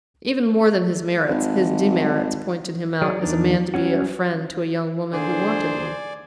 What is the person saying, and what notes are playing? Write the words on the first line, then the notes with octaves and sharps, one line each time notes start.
Even more than his merits, his demerits pointed him out as a man to be a friend to a young woman who wanted one.
G#1
F#3 G#4 D5
E2 B3 D4 D#4 A#4 D5
F#3 G3 A3 C#4 F#4
E2 A#2 D3 G#4 C5 D5 G#5